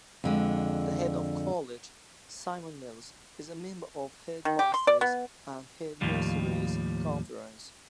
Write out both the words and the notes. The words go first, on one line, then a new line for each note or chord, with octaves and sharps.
The Head of College, Simon Mills, is a member of Headmasters' and Headmistresses' Conference.
F2 D3 G#3
D#3
G4
C6
D5
B3
D#2 A2 F3 G3